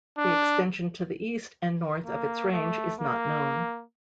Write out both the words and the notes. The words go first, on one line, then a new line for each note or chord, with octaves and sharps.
The extension to the east and north of its range is not known.
D4
A#3
A3
A#3